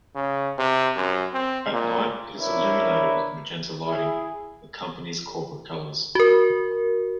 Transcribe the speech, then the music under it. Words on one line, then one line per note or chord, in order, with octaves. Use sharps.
At night, it is illuminated with magenta lighting, the company's corporate colors.
C#3
C3
F#2
C4
A#2
D4 E4 A#4 B4 C#5 E5
E4 G#4
F#4 A#4